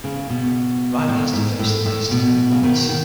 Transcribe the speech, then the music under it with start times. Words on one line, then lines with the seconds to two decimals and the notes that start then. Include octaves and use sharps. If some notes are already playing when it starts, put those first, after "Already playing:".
Rider has to finish the race to earn points.
0.04 C#3
0.30 B2
1.08 A2
1.33 G#2
1.59 A2
1.86 A2
2.11 B2
2.51 C#3
2.63 B2 D#3
2.89 D#3